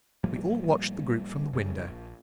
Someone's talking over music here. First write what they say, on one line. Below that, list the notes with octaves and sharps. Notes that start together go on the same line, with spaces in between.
We all watched the group from the window.
A2 F3 G3 A#3
F#2 C#3 G3
A#1